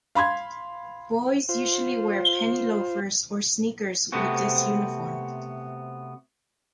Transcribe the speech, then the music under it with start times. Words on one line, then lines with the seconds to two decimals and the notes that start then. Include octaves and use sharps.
Boys usually wear penny loafers or sneakers with this uniform.
0.15 F5 B5 C6 G#6
1.49 F4 C5
4.12 C3 A3 B3 C4 F#4